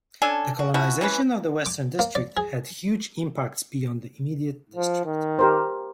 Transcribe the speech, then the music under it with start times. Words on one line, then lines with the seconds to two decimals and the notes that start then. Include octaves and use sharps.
The colonization of the Western District had huge impacts beyond the immediate district.
0.22 C#4 D4 A4 G#5
0.59 F#4
0.74 F3 C#4 E4 F#4
1.01 E3 C#4 B4
1.66 D6
1.99 A#3
2.15 D5
2.37 G#4
4.76 F3
5.05 D#3
5.39 G4 A#4 C5